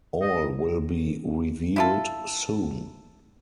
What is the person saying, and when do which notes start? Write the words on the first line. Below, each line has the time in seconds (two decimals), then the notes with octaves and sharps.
All will be revealed soon.
0.22 D#5
1.76 E4 F4 A4